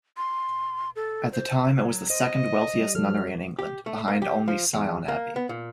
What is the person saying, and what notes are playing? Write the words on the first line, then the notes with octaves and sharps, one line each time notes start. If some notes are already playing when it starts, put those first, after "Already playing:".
At the time it was the second-wealthiest nunnery in England, behind only Sion Abbey.
C6
A4
C5
F#3
C5 D#5
G3
F#3 A4 F6
G4
A3
A#3
G4
F3
E2
A#3
B3
A#2